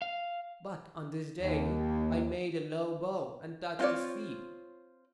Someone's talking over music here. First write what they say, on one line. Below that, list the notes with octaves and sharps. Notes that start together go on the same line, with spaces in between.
But on this day I made a low bow, and touched his feet.
F5
D#2
C4 F4 C#5 D5